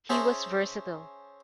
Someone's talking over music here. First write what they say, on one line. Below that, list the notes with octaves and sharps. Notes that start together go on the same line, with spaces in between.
He was versatile.
C#4 G#4 C5 E5 A5 A#5